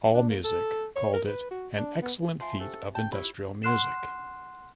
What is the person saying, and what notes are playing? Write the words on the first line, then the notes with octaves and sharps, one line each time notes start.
AllMusic called it "an excellent feat of industrial music".
D4
A#3
A4
C#5
A#4
B4
F#4
D4
B3
F3 E5 G#5 A5 C6
C#4 G4 A4 C5
G5 A5
E4 F4 G4 C#5 B5
F#5 C6 F6 F#6 C7 E7